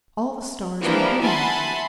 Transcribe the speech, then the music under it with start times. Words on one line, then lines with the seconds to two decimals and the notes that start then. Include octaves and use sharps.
All the stars were hidden.
0.82 E3 F3 G3 A#3 D4 E4
1.22 E5 F#5 G#5 A5 B5 C6